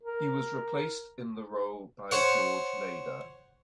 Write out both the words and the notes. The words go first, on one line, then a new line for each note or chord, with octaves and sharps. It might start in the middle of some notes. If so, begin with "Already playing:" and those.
He was replaced in the role by George Nader.
A#4
C5 C#5 F#5